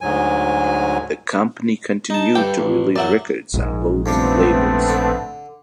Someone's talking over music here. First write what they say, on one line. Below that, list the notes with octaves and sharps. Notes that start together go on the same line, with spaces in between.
The company continued to release records on both labels.
D2 G#2 F#3 G#5
D#4 A5
G2 A4 G5 D6
A1
F#2 F#3 D5 E5 F#5
A#1 G#2 G#3
F2 C3 G3 A3 B3 C4 D4
D3